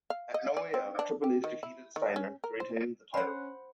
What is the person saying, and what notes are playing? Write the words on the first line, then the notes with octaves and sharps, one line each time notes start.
At No Way Out, Triple H defeated Steiner to retain the title.
F5
D#5
D5
C4
D4
G4
D#3
E4
D#3
C#4
A#4
C5
C#4 C5 F#5 B5